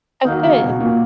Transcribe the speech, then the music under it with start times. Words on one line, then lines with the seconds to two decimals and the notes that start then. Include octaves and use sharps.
Oh, good.
0.24 D#3 F#3 A#3 D#4
0.43 C#3
0.62 B2
0.73 B2
0.80 A#2